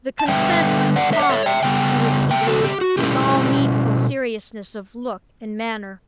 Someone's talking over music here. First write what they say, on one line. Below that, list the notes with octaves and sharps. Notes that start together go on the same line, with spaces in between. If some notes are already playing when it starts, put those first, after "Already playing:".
"The consent of the father," he repeated, with all needful seriousness of look and manner.
A5
D3 G3 B3 E5 G5
D5 F#5
C#5 E5
F#5
C#5 E5
E5 G5
C#3 G3 B3 G5
E5 G5
F#4 A4
G4
F#4
B2 G3 C#4 E4 G4